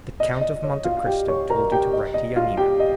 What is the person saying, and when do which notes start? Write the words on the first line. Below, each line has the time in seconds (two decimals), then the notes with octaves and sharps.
"The Count of Monte Cristo told you to write to Yanina?"
0.20 D#5
0.41 D#5
0.64 C#5
0.84 F4 F5
0.97 F5
1.06 G4 G5
1.28 C#5 C#6
1.50 A#4 A#5
1.72 G4 G5
1.93 D#5
2.14 D#5
2.36 F4 F5
2.57 G4 G5
2.80 D#5